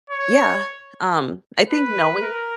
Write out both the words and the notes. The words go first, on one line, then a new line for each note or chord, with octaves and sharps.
yeah, um, I think knowing
C#5
B4
A#4